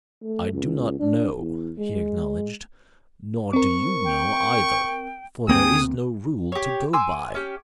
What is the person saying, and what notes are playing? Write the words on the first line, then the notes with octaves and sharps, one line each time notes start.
"I do not know," he acknowledged; "nor do you know, either, for there is no rule to go by."
A3
C#2
D4
E2
G#3
C4 A#4 C#6
G5
D2 A#3 C4 G#4 G5 G#5 D#6
G4 C#5
G#5 C6 D6 E6
C#4 G4